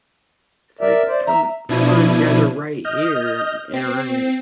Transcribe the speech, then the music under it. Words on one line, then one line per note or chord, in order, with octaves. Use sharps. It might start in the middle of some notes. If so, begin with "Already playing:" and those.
It's, like, come come on, you guys are right here in in a room.
A#4 D5 E5
C5 D5
E5 A#5
B2 F3 D4 E4 G#6 D#7
D#5 F6 G6
C4 C7